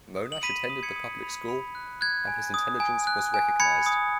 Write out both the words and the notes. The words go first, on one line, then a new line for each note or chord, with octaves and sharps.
Monash attended the public school and his intelligence was recognised.
D#6
F#7
B5 B6 D#7
D#6
G#6 C#7
D#6
B5
B5
F#6
F#6 G#6
G#5
D#6
G#5
F#6
G#5
B5 G#6 C#7
D#6